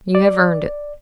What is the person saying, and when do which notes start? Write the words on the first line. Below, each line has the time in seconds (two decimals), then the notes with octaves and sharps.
You have earned it.
0.15 D5